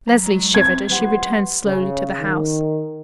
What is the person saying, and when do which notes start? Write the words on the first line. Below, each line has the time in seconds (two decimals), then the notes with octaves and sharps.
Leslie shivered as she returned slowly to the house.
0.08 F#2 A#5
0.26 F#3 G#3
0.55 C4 B4 G#6
0.89 F3 G3 A#3 B4 F#5 C6
1.65 C#3
2.19 D#3